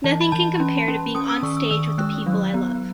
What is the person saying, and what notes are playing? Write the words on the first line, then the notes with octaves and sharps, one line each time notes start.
Nothing can compare to being onstage with the people I love.
E3 A5
B5
E3 A5
C#4
C#4
C#4 D#6
E6
D#3 C#6
E6
D#3 E6
G#3 F#6
F#3
B3